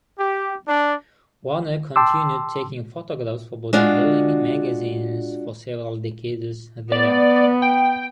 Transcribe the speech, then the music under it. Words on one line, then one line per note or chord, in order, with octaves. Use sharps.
Warner continued taking photographs for bodybuilding magazines for several decades thereafter.
G4
D4
G5 A5 C6 D6 E6
G#3 D4 F4 F#4
B3 D5
G5